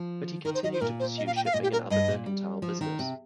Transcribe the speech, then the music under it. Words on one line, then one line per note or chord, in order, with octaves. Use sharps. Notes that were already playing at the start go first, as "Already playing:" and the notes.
But he continued to pursue shipping and other mercantile business.
Already playing: F3
D#3 A#4
C5
D#3 D#5
C5
A#2 A#4
C5
D#5
F5
G5
F5
A#2 D#5
G4
A#4
G2 D#5
A#2
G3
F3
D#3
C3